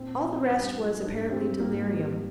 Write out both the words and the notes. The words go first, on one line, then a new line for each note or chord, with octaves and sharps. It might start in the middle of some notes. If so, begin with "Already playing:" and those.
All the rest was apparently delirium.
Already playing: A#2 C4
F3
G2
F3
G#2 D4
G3 C4
G#2 A#3
G3